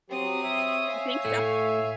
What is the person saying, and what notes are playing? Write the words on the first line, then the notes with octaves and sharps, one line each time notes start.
You think so?
F#3 C4 G4 D#6
C#5 E5
F5 G#5
A2 A3